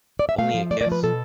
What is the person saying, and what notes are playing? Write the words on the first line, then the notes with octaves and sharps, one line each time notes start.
Only a kiss?
D5
E5
A3 F5
F3
A3 D5
D5
F3
B4
B2 A4